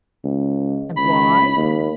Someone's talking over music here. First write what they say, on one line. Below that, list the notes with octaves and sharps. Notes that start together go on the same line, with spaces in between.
And why?
C#2
C#2 B5
D#2